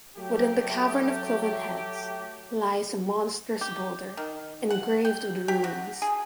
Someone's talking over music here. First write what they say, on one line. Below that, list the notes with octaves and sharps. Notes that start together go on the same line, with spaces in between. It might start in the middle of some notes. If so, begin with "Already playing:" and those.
Within the Cavern of Cloven Heads lies a monstrous boulder engraved with runes.
F#3 A3 G4
G4
D#3
F#5
G5
G4
F#4
G#4